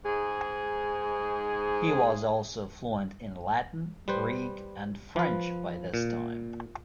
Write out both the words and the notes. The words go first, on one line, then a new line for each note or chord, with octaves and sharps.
He was also fluent in Latin, Greek, and French by this time.
G#2 G#4
G3 B4 C5
F3 B4
A#2